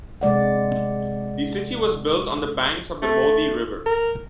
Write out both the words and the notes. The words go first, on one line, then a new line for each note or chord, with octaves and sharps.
The city was built on the banks of the Modi River.
C3 G#3 D5 F#5
A3
A#4